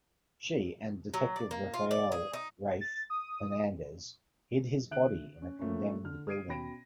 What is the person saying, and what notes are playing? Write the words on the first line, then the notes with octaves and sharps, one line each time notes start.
She, and Detective Raphael "Rafe" Hernandez hid his body in a condemned building.
F#3
D5
A#3
F4
D5
G#4
D#4
A6
D#6
D3 E5 F#6 D7 F#7
C#4
F3 A3 A#3 C#4
D3 A4 F6
D#6 F6 G#6 C7 D7 D#7
B2 C#4 G5 B5 A#6 D7